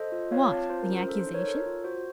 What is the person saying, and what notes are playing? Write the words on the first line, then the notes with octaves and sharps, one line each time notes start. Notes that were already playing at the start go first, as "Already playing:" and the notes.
"What? the accusation?"
Already playing: A4 C5 D#5
F4
F4 C#5 F5
C4 F5 A5
F4 C5
A#4
C#4
C5
A4
C5
D#4
A#4 C#5
A4
F4
F#4 C5